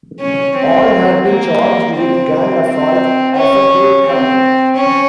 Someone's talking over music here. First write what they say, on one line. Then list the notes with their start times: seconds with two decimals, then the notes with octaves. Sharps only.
All had been charged with gang assault as a hate crime.
0.20 C#4
0.56 C4
1.26 A#3
1.95 C4
2.65 C4
3.35 C#4
4.06 C4
4.76 C#4